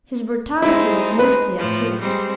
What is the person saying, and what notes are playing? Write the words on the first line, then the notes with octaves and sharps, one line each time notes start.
His brutality was mostly assumed.
G#3 C4 D#4 E4
B4
A2 F3
G3 G#3 C4